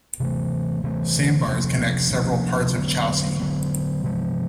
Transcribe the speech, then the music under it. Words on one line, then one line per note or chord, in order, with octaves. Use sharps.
Sandbars connect several parts of Chausey.
C3 E3 A3
C3 E3 A3
C3 F3 A#3 D4
C3 F3 A#3 D4
D3 F#3 B3
D3 F#3 B3
C3 F3 G#3